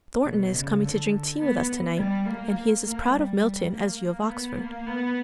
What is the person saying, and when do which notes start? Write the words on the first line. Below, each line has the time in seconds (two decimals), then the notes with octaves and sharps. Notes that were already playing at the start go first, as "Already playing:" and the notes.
Thornton is coming to drink tea with us to-night, and he is as proud of Milton as you of Oxford.
0.23 B2
0.52 C#3
0.81 D3
1.39 B3
1.96 G3
2.26 A#3
2.83 A#3
3.12 G3
3.71 A#3
4.00 A#3
4.29 B3
4.58 A#3
4.87 B3